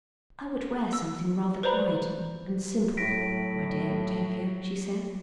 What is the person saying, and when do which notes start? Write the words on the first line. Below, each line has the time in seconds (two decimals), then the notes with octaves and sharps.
"I would wear something rather quiet and--and simple, my dear Octavia," she said.
0.93 E6
1.63 B4 C5 D5 A#5 B5
2.97 A2 F#3 A#6 B6 D7